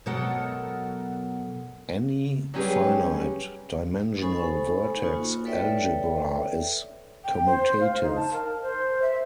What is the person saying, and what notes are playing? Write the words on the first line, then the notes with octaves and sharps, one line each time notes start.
Any finite-dimensional vertex algebra is commutative.
B2 F#3 G#3 A4 A#4 F#5
F#3 G3 C#4 G4 G#4 B4
D#4 A4 C5 G#5 B5 C#6
A#3 D#4 F4 F#4
A4 B4 C#5 D5 E5 G5
G5
C5
F5
D#4
A5
A#4
C5
E5